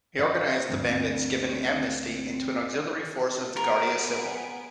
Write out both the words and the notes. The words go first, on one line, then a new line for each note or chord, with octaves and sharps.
He organized the bandits given amnesty into an auxiliary force of the Guardia Civil.
B4 D#5 F5
D2 G2 C4
B3 G#4 A#4 D7